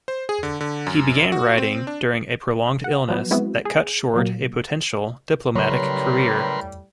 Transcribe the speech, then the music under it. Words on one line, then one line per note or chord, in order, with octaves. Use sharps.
He began writing during a prolonged illness that cut short a potential diplomatic career.
C5
G#4
D3
D3
F#2
F#4
C4
D4
F#5
F3 F#3 B3
G#3 B3 C4 E4 F#4
G#4
A#2 F#3 A#3
A2 C#3 F#3 G3 A#4 B4 C#5 C6